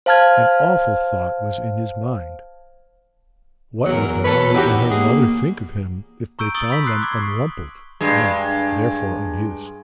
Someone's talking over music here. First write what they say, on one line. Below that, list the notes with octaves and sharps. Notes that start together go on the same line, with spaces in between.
An awful thought was in his mind: What would Molly and her mother think of him if they found them unrumpled and therefore unused?
C5 F5 A5 F6 G#6
E2 F#3 A#4
E2 A4 B4 C#5
D#4 E4 F#4 G4
A#3 G#4
A#5 C#6 E6 G6 D7 D#7
C#6 D#6 E6 A6 F#7 G7
B5 C#6 B6 F#7
C6 D#6 E6 F#6 C7
C#6 D6 G#6
G2 G#3